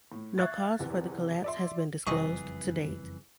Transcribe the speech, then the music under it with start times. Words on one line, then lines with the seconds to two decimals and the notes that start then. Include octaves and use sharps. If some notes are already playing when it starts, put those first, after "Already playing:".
No cause for the collapse has been disclosed to date.
0.12 A2
0.38 E5 F5 C#6 F#6 G#6 A6
0.79 F#1 E2 C3 E3
1.44 D5 E5 C6
2.07 F#1 F2 C3 E3 G3 G#4 D#5 C#6